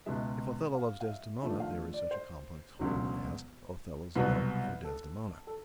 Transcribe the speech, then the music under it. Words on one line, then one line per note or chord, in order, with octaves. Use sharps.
If Othello loves Desdemona, there is such a complex whole as 'Othello's love for Desdemona'.
C#2 B2 G#3 E5
F5
F5
E5
D#2 D3 F3 A3 E5
F5
D5
C5
E1 D2 C#3 F#3
C2 B2 F#3 B3 B4
A4
A4